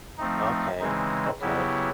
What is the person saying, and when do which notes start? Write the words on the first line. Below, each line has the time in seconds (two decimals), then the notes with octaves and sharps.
Okay. Okay.
0.18 F3 A3 C4 D#4
0.80 C#3 E3 G#3 C4 D#4
1.41 C#3 F#3 B3 E4 G4